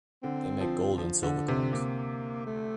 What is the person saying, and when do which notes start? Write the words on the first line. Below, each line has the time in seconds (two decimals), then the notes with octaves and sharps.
They make gold and silver coins.
0.23 D3 C4
0.61 F3
0.98 F3
1.23 D3
1.48 C3
1.72 C3 A#3
2.46 A3